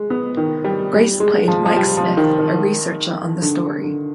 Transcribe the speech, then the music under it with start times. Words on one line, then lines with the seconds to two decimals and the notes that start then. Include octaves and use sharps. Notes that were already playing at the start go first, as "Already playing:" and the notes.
Grace played Mike Smith, a researcher on the story.
Already playing: G#3
0.10 B3
0.37 D#3
0.65 G3
0.93 G3
1.20 G#3
1.48 F3
1.66 F3
1.76 G3
1.97 F3
2.17 D#3
2.38 D#3
3.42 D3
3.84 D3